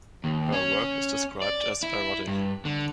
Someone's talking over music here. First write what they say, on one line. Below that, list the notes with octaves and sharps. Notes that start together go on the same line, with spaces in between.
Her work is described as erotic.
D#2
C#4
D5
E4
G2
D3